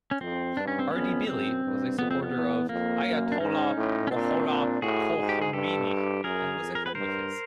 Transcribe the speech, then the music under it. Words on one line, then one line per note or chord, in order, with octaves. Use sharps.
Ardebili was a supporter of Ayatollah Ruhollah Khomeini and was a friend of his.
C#4
F2 C4
G2 D4
C#4
C4
F2 B3 C#4
F#2 C4
G2
F2 B3
C4
B3
E2
F2 A#3
F#2
D4
G#2 C#4 D#4
A2
C#4
A#2 C4 D4
A#2
A2 F#4 G#4
G#2
G4
G#4
G2 G4 A4
F#2 G#4 A#4
F2
A#4
B4
G2 A#4 C5